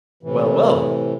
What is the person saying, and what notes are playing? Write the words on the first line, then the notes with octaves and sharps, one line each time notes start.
Well, well.
A2 C3 E3